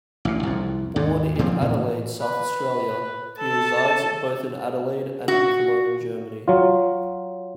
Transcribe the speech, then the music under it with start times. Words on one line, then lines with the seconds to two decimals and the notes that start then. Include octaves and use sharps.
Born in Adelaide, South Australia, he resides both in Adelaide and in Cologne, Germany.
0.25 A1 A#2
0.43 C2 F2
0.96 D#2 G#2
1.39 A#2 F3 C4
1.61 A2 E3
2.21 B4
3.39 A4 A5
5.28 F#4
6.48 F#3 F4